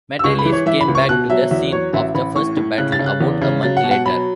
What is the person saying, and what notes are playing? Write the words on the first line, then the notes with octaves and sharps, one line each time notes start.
Matelief came back to the scene of the first battle about a month later.
E6
C#2 C#6
B5
E3
C#5
E3 E5
B5
C#2
C#6
B2 F#6
F#3 E5
E2 E5
F#3 C#5
A1 E5
A1 B5
A2 C#6
A2
C#3 F#6
A6
C#3
F#6
E2
C#3
F#3 A6
F#5
B2
F#5
F#3 B5